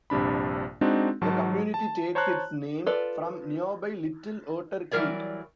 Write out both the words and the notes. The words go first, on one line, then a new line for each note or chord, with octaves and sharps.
The community takes its name from nearby Little Otter Creek.
A#1 G2 C3 D4 B5
G#3 C4 D4 D#4 F#4
G#2 F#3 F#4 A5
A5
C5 C#5 A5 A#5 C6 F#6
F4 A4 B4 D5
E3 F#3 G3 A#4 C#5 D5